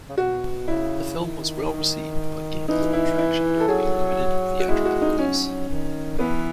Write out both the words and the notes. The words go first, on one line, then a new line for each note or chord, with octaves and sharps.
The film was well-received but gained little traction during a limited theatrical release.
C#3
B2 F#4
C#3 E4
D#3
E3 D#4
E4
E4
A4
F#3 G#4
F#4
G#3 E4
F#4
D#4
F#3 C#4
D#3
E3 B3